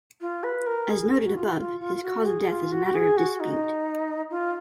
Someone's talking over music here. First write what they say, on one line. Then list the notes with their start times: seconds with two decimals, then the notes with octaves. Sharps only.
As noted above, his cause of death is a matter of dispute.
0.21 F4
0.43 B4
0.66 A#4
0.89 G#4
1.23 F#4
1.35 F4
1.57 F4
1.80 F4
1.95 F4
2.02 F#4
2.26 G#4
2.49 F4
2.71 F#4
2.94 G#4
3.17 F#4
3.40 D#4
4.30 F4